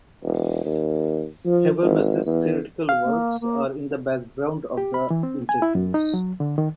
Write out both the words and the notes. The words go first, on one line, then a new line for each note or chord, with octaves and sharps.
Habermas's theoretical works are in the background of the interviews.
E1
D#2
F3
G#1
E2
F5
A#3
A#3
G4
B5
E3
C4
G#5
E4
F#2
D#4
F#3
D3
D#3